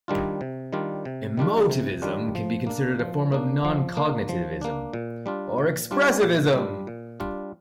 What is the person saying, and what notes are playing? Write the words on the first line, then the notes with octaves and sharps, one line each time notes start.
Emotivism can be considered a form of non-cognitivism or expressivism.
D#3 G3 D4 F4
C3
D#3 G3 D4 F4
C3
D#3 G3 D4 F4
C3
D#3 G3 D4 F4
F3
A#3 D4
F3
A#3 D4
F3
A#3 D4
F3
A#3 D4
A#2
G3 D4 F4
A#2
G3 D4 F4
A#2
G3 D4 F4
A#2
G3 D4 F4